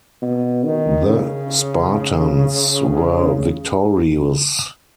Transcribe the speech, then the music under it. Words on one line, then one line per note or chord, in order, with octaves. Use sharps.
The Spartans were victorious.
B2
D#3
C#3